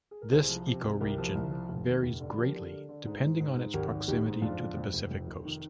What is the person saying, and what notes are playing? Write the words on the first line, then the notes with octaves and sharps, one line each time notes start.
This ecoregion varies greatly depending on its proximity to the Pacific coast.
G#4
A#4
C2 G#4 C5
F3
C3
C2
C2 G4 A#4
F3
C2
F3
F1
D#2
F1
D3
F3 G4 A#4
D3
D3
D3
G#2
G#2
G#2
G#2
G#1 G4 A#4
G#1
G#1 D#4 G4
G#2
F2 D4 F4
F2
F2
F1
F2
F1
D#3